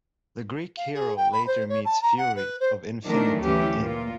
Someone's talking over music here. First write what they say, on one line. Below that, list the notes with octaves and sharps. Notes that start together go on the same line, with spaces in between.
The Greek hero later meets Fury of Infinity In.
F5
G#4
G5
B5
C5
C#5
A5
A#5
F#5
B4
C5
D#3 E3 F#3 A3 D4 A#4
D2 E3 C#4 G4
A#2 A#3 F4